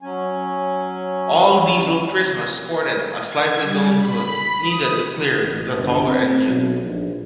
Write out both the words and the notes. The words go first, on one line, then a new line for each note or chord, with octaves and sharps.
All Diesel Prismas sported a sightly domed hood, needed to clear the taller engine.
F#3 C#4 G#5
G#6
G3
B5
D#6
A1
G1
C4
B1
A#1